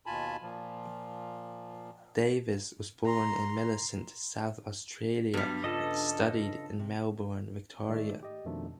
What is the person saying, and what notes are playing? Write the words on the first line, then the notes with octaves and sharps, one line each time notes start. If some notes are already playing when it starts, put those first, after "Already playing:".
Davis was born in Millicent, South Australia and studied in Melbourne, Victoria.
D#2 B2 F4 G#5 A5 B5
A#2 F3
A#5 C6
G2 F#3 G3 B3 D4 G4
C#3 F4 A4 B4 D#5
C3
G#2 D#3 G#3 A3 D5
G4 D#5
F2 B2 D#3 F3 A3 D4